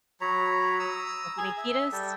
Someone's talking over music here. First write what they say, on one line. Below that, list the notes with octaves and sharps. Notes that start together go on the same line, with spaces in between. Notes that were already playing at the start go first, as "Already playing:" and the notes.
Anthony Kiedis?
F#3 C#5 A#5 B5
A#5 D#6 E6
G#4 G#5
E5
G3 G4 A4